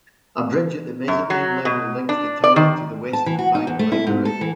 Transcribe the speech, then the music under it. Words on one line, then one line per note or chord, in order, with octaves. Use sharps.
A bridge at the mezzanine level links the tower to the Western Bank Library.
F#2
F#3
B2
D4
D5
D#3
A5
E3
F#4
D#4
E2
A3
E4
G#2
A4
E3